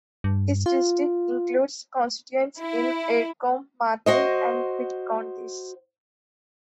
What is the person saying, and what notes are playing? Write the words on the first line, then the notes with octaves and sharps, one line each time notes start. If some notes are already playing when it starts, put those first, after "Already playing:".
His district includes constituents in Edgecombe, Martin, and Pitt counties.
G2
F4
E4
F#4 C5 D#5